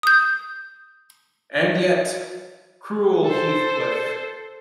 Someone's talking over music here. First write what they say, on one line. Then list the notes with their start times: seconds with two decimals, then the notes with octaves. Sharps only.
And yet, cruel Heathcliff!
0.03 D#6 G6
3.25 A4 C5